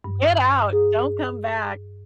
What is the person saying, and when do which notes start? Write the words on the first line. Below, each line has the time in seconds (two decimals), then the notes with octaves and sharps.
Get out, don't come back.
0.04 G2
0.73 G#4